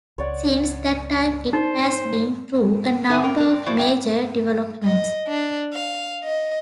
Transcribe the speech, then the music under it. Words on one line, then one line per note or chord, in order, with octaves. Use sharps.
Since that time it has been through a number of major developments.
C#2 C#5 D5 F#5
D#4 C5
D3 D#4 B4 D5 E5 G#5
B2 A#3 A#4 G5
D4 A#4
C4 D5
F3 E4 F#4 C5 D5
A#3 C#4 E4 D5 E5 G5
D#5
D4
F5
D#5